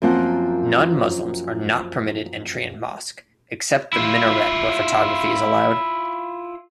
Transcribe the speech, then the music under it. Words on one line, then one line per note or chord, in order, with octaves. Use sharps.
Non-Muslims are not permitted entry in mosque, except the minaret where photography is allowed.
F#2 F3 A#3 C4 F4 F#5
E4 F4